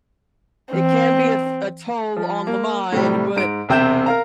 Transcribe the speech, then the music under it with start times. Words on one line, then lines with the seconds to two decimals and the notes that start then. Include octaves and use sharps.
it can be a f a toll on the mind, but
0.73 E3 C4
2.17 F3
2.47 A#3
2.92 A2 C3 G3
3.36 G#2 D7
3.69 E1 C3 C4 E5 G6 E7
4.06 A#4 F5 A#5